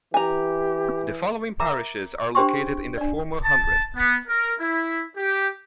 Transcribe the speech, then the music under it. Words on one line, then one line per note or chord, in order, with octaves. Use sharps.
The following parishes are located in the former hundred.
E3 G4 G#5 A#5
A#4 E5 A#5 D6
D4 G4 C5 G5 C6 C#6
D4 D5
A5
B3
A#4
E4
G4